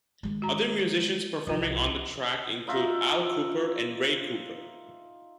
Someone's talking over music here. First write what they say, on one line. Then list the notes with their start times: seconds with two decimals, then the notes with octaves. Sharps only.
Other musicians performing on the track include Al Kooper and Ray Cooper.
0.23 D#3 G#3
0.42 F#4 A#5
1.47 C2 F3 F4
2.67 D#4 F4 E5 A#5